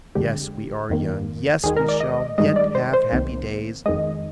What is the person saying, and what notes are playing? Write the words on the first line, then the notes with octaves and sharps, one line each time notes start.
Yes, we are young; yes, we shall yet have happy days!
F2 D3 G#3 G4
F2 D#3 A#3
D#2 D#3 G#3 G#4
A#4
D5
D#5
G2 D#3 G#3 D#5
D5
C5
C5
C2 C3 D#3 A#3
F2 D#3 G#3 D#5